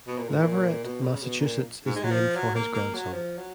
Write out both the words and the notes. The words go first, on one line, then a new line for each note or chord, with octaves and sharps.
Leverett, Massachusetts is named for his grandson.
B2
A#2
G#2
A#2
B2
C#3
B2
A#2
G#2
G#3
F#3
F3
F#3
A#3
A#3
F#3
F3
F#3